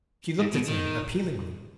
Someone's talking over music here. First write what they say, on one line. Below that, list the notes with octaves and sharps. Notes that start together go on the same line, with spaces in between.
She looked at him appealingly.
G#2
B2
D#3